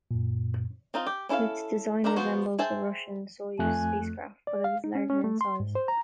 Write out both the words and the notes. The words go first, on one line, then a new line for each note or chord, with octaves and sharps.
Its design resembles the Russian Soyuz spacecraft, but it is larger in size.
F#2 A#2
C4 D#4 F4
G4
C#4 E4 A4 C#5 F5
D#3 D4 A4 A#5
F3 B3 F#4 C5
G#4 C5 E5 G5 A5
F2 A3 G#5 F#6
D5
F5
D#4
C#4
C#4
A3
C6
G#2
C5
A#5